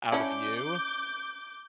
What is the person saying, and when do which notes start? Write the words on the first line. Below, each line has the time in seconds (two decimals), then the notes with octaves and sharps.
out of you
0.12 C#4 D4 E4 D6 G6